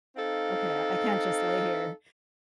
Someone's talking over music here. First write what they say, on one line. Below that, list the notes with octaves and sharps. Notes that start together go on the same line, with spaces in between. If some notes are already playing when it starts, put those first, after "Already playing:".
ok, I can't just lay here,"
C4 D#4 A4 F5